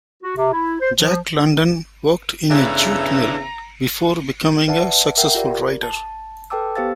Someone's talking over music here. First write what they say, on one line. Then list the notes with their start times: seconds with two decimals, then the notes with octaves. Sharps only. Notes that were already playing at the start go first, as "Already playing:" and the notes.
Jack London worked in a jute mill before becoming a successful writer.
0.22 F#4
0.37 C3
0.53 E4
0.80 C5
0.97 F3
2.50 E2 C#3 D4 A4 B4 E5 A#5
4.68 B4 D5 E5 F#5 A5
5.17 A#4 E5 F#5 G5
5.35 F4 G4 A#4 D5
5.83 A5
6.50 A4 B4 G5 A5 D6 E6
6.76 B3 G4 C5 F5 E6 A6